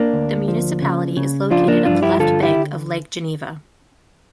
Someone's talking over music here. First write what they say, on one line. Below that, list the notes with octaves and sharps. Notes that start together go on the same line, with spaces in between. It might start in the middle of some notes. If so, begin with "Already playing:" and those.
The municipality is located on the left bank of Lake Geneva.
Already playing: A#3 D4
D2
F3
C#3
C#3
F3 D4 F4
A#3 D4
G2 D4 F4
E4 G4
D3 F4 A4
E4 G4